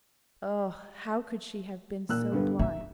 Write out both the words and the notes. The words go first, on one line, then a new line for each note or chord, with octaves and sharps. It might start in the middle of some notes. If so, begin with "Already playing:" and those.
Oh! how could she have been so blind?
A#2 E6 F#6
G2 D3 B3
D#4 E5